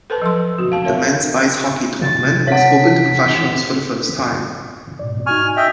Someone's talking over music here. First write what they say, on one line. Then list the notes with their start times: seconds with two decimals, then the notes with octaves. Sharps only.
The men's ice hockey tournament was opened to professionals for the first time.
0.10 A4 B4 C5 A5
0.22 F3 F#3 C6
0.58 F#4
0.72 F5 A5
0.85 A#4 C#5 E5 F5
2.01 C3 A6
2.47 C#5 F#5 B6
4.99 G#2 B2 D5
5.26 D#4 F#4 G#5 C#6 F6
5.57 D#5 E5 G5